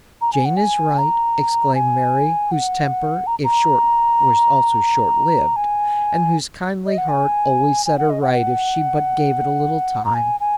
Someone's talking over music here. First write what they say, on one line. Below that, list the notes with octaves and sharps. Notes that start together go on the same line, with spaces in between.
"Jane is right," exclaimed Mary, whose temper, if short, was also short-lived, and whose kindly heart always set her right if she but gave it a little time.
A#5
G#5
F#5
G#5
A#5
G#5
F#5
A#5
A#5
G#5
D#5
F#5
G#5
G#5
F#5
D#5
F#5
A#5
G#5
G#5